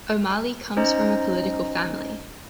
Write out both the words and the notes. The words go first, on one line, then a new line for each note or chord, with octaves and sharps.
O'Malley comes from a political family.
C#4 D#4 C5 D#5 A#5